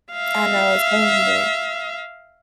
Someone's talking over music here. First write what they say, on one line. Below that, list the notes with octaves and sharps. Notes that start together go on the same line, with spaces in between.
I know it's some in there.
E5 F5